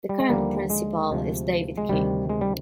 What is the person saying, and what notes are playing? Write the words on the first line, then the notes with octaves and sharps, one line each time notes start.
The current principal is David King.
G3
G#3
D#2 D3 F3 G3 A#3
G#3
D2 C3 F3
G#3
D2 C3 D#3 G3
G#3
G3